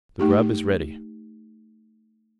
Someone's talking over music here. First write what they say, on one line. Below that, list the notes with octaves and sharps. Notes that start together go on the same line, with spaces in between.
The grub is ready.
A3 D#4 G4